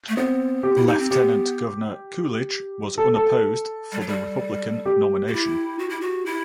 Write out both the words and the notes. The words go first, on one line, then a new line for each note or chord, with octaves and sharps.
Lieutenant Governor Coolidge was unopposed for the Republican nomination.
A3
B3 C4
G4
E4
D#4
C4
B3 G4
A4
A4
G3
F#3
G3
G4
F#4
E4
F#4
E4
F#4
E4